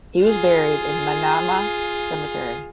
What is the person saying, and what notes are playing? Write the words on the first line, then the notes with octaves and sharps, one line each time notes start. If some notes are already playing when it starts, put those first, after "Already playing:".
He was buried in Manama Cemetery.
F4 G#4